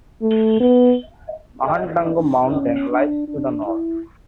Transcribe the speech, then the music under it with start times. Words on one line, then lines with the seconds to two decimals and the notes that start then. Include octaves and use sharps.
Mahantango Mountain lies to the north.
0.22 A3
0.60 B3
2.51 C#4
2.90 D4
3.28 D4
3.66 E4